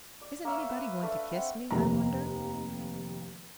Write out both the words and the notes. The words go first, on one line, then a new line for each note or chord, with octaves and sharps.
"Isn't anybody going to kiss me, I wonder!"
D5
A#3 C#5 E5 F5
B4
A3 D4 B4
C4 F#5
F1 D#2 A#3 A#5